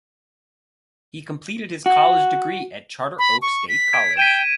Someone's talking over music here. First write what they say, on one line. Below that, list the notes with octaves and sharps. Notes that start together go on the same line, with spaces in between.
He completed his college degree at Charter Oak State College.
F#4
B5
C#6
B6
G#6 D7
G5 B6 D#7 E7